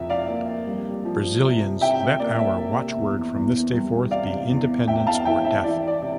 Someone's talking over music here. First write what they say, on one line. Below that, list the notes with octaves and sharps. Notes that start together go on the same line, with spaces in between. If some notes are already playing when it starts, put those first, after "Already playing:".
Brazilians, let our watchword from this day forth be 'Independence or Death!
Already playing: F2 C3 E5
D5 F5
A#3
G3
F3
C3
C3 E5 G5
A#3 D5
E5
C3
E2
E2
G3
C3 D5 F5
E2
E2 E5 G5
F5 A5
E3 E5 G5
E5
E3 D5
D5
C3